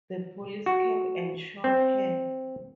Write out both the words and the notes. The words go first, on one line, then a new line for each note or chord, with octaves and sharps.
The police came and shot her.
F#4
C4